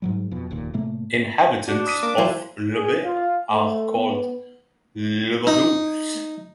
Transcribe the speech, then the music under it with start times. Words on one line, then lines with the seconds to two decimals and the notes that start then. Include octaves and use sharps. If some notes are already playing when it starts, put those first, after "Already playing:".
Inhabitants of Laubert are called "Laubertois".
0.02 G#2 F#3 G3
0.31 F2 B2
0.51 F1 D#2 A#2
0.74 A2 C3 A3 A#3
1.68 D4 F#4
1.87 D#6 B6 D#7
2.03 A#3 D6
2.18 E3 F#3 E4 F4 C5
2.73 G#4
3.04 F4
3.51 A3
3.94 B3
5.47 D#4